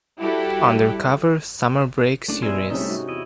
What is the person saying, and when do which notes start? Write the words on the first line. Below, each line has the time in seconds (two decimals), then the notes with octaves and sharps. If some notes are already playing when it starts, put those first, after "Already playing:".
Undercover: Summer Break series.
0.19 G3 E4 F#4 G4 A4
2.28 F#1 A3 D4
2.42 B2 A#4 D5 E5 G#5 C6
2.70 F#1 C3 G3 A3 C#4 D#4 E5
2.87 G#2 F#4
3.09 E2 E4 D#5